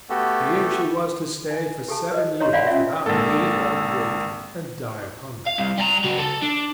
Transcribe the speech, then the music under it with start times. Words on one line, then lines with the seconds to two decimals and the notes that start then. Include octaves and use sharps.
Here she was to stay for seven years without meat or drink, and die of hunger.
0.10 A3 B3 F#4 G4 A4
1.51 G#5
1.88 G4 A4 A5
2.11 B4 D#5
2.40 C#5 D#5 A#5 C6 C#6
2.53 D5 F5 F#5 G#5 A#5 B5
2.67 C#4 F4 E5
3.06 G#1 D3 A#3 A4
5.46 F5
5.58 C2
5.78 G3 A#5
6.04 C#3 F#4
6.18 A4
6.42 D4